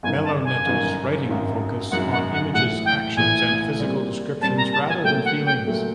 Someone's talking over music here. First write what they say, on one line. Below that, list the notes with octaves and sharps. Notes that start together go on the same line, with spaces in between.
Melo Neto's writing focus on images, actions, and physical descriptions rather than feelings.
G1 F#2 D#3 G#5
A5
G#5
G1 F#2 D#3
G#1 F#2 D#3 F#3
G#1 F#2 D#3 F#3 F#5
F#5
F#5
A#1 A2 E3 F#5
G5
A#1 A2 E3 G#5
A#2 G3 C4
A#2 G3 C4 A5
A#5
A5
G#5
A#2 F#3 A3 G5
F#5
G5
A#2 F#3 A3